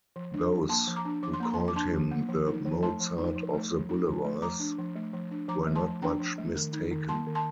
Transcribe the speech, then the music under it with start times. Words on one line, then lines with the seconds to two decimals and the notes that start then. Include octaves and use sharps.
Those who called him 'The Mozart of the Boulevards' were not much mistaken.
0.16 F3
0.34 D4
0.52 F3
0.69 A#3 A5 C6
0.87 F3
0.96 A#5 D6
1.05 D4
1.23 F3 D6
1.33 C6
1.40 A#3 A#5
1.54 F3 A5 C6
1.68 D6
1.76 D4 A5 C6
1.94 F3
2.11 A#3
2.29 F3
2.47 D#4
2.65 F3
2.82 A3 A5 C6
3.00 F3
3.18 D#4
3.36 F3
3.53 A3
3.71 F3
3.89 D#4
4.07 F3
4.24 A3
4.42 F3 A#5 D6
4.60 D4
4.79 F3
4.96 A3
5.14 F3
5.31 D4
5.48 F3 A#5 D6
5.67 A3
5.75 A5 C6
5.84 F3
6.02 D4 G5 A#5
6.20 F3
6.38 A3
6.56 D#3
6.73 D#4
6.92 D#3
7.09 A#3 A5 C6
7.27 D#3
7.35 A5 C6